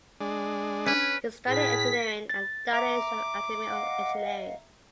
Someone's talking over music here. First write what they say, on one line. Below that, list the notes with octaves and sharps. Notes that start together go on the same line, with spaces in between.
He studied engineering at the Danish Academy of Engineering.
G#3 D4
C#4 B4
A2 G#4 B6
A6
E5 A#5 D6
D#5 F5 F#5